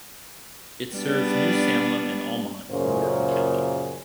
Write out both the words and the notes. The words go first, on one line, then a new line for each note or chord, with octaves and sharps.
It serves New Salem and Almont in Morton County.
G3 B3 D4
F#2 A#2 C#3 A#3 G#4 C5